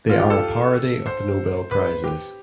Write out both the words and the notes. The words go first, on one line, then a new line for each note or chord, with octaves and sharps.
They are a parody of the Nobel Prizes.
F4
G4
A4
C5
B4
G4